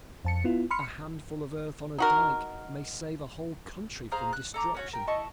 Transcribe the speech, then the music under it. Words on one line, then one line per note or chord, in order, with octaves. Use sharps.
A handful of earth on a dike may save a whole country from destruction.
F2 A5 C#7
B3 E4 F4
B5 C6 F6 C#7
D#4 F#4 A#4
G#4 C5 F5 A#5
F#6
A4 A#5 D6
C#4 F#4 C#5
A#4 G5
E4 D#5 A5 C#6